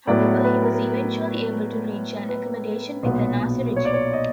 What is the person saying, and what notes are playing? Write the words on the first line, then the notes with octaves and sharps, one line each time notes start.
However, he was eventually able to reach an accommodation with the Nazi regime.
A2 F#3 B3 D5
C#5
B4
A#4
B4
B1 A#2 F#3 B3
C#5
D5
C#5
D#5